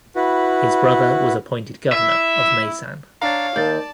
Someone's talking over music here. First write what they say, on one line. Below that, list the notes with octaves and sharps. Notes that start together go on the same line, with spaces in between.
His brother was appointed governor of Maysan.
E4 F#4 B4
E4 E5
D4 C#5 F5 A#5 A6
D#2 D5 A5 G6 A6